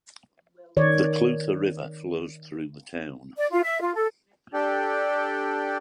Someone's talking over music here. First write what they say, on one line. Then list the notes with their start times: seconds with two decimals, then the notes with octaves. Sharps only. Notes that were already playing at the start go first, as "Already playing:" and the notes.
The Clutha River flows through the town.
0.77 D#3 C#5 D5
3.37 D5
3.51 F4
3.63 E5
3.80 F4
3.94 A4
4.54 D4 G4 A4 D5 G5